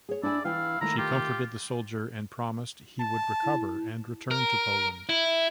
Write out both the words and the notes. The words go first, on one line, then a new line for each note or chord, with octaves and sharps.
She comforted the soldier and promised he would recover and return to Poland.
G#4 C#5
D4 E4 D5 G#5
E3 E4 F5 G5 G#5
D#3 A3 A#5
F4 G4
A5
E4
A#4
E4